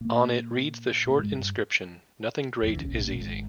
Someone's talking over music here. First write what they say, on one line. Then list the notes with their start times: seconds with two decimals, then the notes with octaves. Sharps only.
On it reads the short inscription: Nothing great is easy.
0.01 A#2 A#3
1.06 A#2 A#3
1.19 G#2 G#3
1.32 G2 G3
2.63 E2 E3
2.76 C#2 C#3
2.88 B1 B2
3.01 A#1 A#2
3.15 G#1 G#2